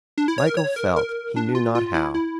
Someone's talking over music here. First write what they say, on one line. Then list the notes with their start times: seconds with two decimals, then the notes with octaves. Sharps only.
Michael felt he knew not how.
0.18 D4
0.28 E4
0.38 C#5
0.47 A#4
0.57 C#5
0.76 A#4
0.96 A#4
1.36 D4
1.55 F4
1.75 F4
1.94 E4
2.14 E4